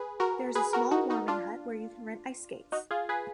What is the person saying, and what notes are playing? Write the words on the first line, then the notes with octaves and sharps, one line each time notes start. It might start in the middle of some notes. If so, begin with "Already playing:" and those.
There is a small warming hut where you can rent ice skates.
Already playing: G#4 B4
F#4 A#4
G#4 B4
F#4 A#4
D#4 F#4
D#4 F#4
D4 F4
D#4 F#4
F4 G#4
G#4 B4